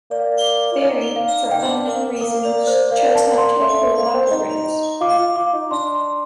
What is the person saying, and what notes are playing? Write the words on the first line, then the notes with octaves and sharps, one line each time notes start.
Ferry, for unknown reasons chose not to include locker rooms.
A#3 D5
F4
D#4 D#5
F5
D#4 G5
C4
D4
A#3
A#3 A#4
D5
C5
A#3 D5
A5
C6
A3 C6
A3
A#3
C4
D#4
F4 D6
F4
F4 D6
D#4
D4 C6
C6